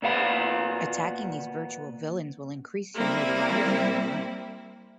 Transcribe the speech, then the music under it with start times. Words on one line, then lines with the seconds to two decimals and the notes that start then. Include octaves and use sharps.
Attacking these virtual villains will increase your notoriety online.
0.02 A#2 B3 F5 B5
2.94 G3 A#3 C4 E4